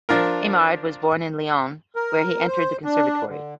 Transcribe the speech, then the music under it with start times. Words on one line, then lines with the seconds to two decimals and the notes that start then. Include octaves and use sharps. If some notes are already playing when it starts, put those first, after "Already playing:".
Aimard was born in Lyon, where he entered the conservatory.
0.09 F3 D4 F4 A#4
1.96 A#4
2.47 C5
2.85 D4
3.28 D3